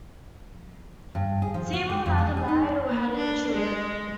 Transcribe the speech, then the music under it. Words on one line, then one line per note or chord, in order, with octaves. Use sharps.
Seymour neither married or had any children.
G2
G#4
F3
F#4
G#3
F2
G#3
G#4
D#4
A#3
D4
G#3